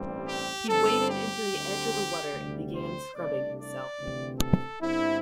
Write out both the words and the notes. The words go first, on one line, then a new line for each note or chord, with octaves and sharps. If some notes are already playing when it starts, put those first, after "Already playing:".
He waded into the edge of the water and began scrubbing himself.
Already playing: A1 G2 G3 C4
G4
G1 G2 G3 C4 A4
G4
D2 D3 G3 C4
D2 C3 G3
C5
C2 C3 A3 D4 D5
D5
D2 C3 E3 C4
A4
G1 G2 D3 C4 E4